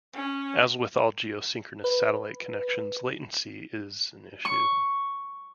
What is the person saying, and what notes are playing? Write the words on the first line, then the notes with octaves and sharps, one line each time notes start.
As with all geosynchronous satellite connections, latency is an issue.
C#4
B4
C#6